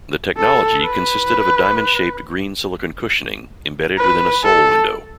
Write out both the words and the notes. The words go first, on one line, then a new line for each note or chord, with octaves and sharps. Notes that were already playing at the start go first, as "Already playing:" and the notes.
The technology consisted of diamond-shaped green silicon cushioning embedded within a sole window.
A4
B4
B4
A4